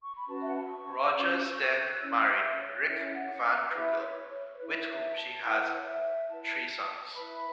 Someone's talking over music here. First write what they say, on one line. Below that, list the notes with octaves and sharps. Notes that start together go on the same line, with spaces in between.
Rogers then married Rick Van Krugel with whom she has three sons.
C#6
B5
C#4 F#4 B4 A5
E5
F#5
A5
B5
C#6
C#4 F#4 B4 C#6
E6
C#6
E6
F#6
C#4 E4 C#5 E6
E5
C#5
C#4 E4 C#5 E5
E5
F#5
C#5
E5
E4 B4 E5
C#5
C#5
E4 B4 C#5
E5
A5
E4 B4 F#5
C#5
E5
E4 B4 A5
A5
A5
E4 B4 B5